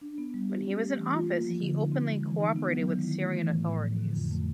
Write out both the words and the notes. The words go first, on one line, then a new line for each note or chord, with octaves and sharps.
When he was in office, he openly cooperated with the Syrian authorities.
D4
B3
G3
G4
C#4
A3
E3
F4
A#3
F3
D3
D#4
C4
G#3
E3
D#4
B3
F#3
D#3
E4
A3
E3
A2
A2
F3
D3
F2
A3